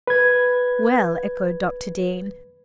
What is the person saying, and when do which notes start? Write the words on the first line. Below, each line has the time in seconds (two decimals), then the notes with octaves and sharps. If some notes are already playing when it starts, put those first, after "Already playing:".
"Well," echoed Dr. Dean.
0.07 B4 G#6